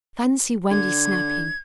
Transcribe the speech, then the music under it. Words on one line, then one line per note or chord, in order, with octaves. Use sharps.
Fancy Wendy snapping.
D3 G#6